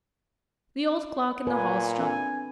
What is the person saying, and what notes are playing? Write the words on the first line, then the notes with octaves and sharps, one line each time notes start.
The old clock in the hall struck.
A#2 B4 G#5
C4 D4 A4 G#5